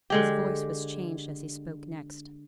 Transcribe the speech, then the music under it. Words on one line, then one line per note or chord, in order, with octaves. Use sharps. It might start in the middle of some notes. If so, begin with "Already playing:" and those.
His voice was changed as he spoke next.
D3 G#3 G4